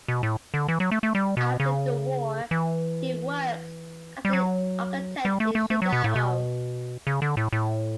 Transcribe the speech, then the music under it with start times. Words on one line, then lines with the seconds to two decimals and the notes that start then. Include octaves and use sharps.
After the war, he worked as an architect in Chicago.
0.08 B2
0.23 A2
0.54 D3
0.68 E3
0.80 F#3
0.92 A3
1.03 A3
1.15 G3
1.37 B2
1.60 C#3
2.51 E3
4.25 G3
4.33 F#3
5.25 G3
5.40 A3
5.55 A3
5.70 A3
5.82 F#3
5.93 B2
6.04 A2
6.16 B2
7.07 C#3
7.22 D3
7.37 A2
7.53 A2